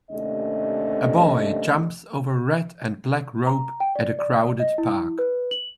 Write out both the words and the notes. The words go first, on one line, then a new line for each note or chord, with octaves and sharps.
A boy jumps over a red and black rope at a crowded park.
D#2 C3 A3 C#4 D4 D#5
A#5
G5
D5
D5
D#5
E4
B4
F#7